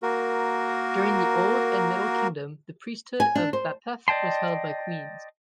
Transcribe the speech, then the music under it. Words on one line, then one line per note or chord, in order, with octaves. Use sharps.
During the Old and Middle Kingdom the priesthood of Bapef was held by queens.
A#3 F#4 A#4
G#5
D4
C5
D5 D#5 G5 A5 C6